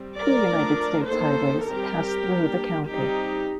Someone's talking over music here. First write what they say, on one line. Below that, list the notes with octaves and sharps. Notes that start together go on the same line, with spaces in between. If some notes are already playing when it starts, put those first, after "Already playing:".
Two United States highways pass through the county.
Already playing: G3 C4
A#4 D5
F3 A3 D4
D#3 A#3 D4 A4 C5
G3 C4 G4 A#4
G3 A#3 D4
G3 C4 D#4 G4